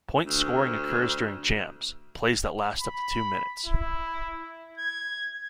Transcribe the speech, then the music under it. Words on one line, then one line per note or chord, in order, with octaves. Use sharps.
Point scoring occurs during "jams": plays that last up to two minutes.
D2
B5
E4
G#6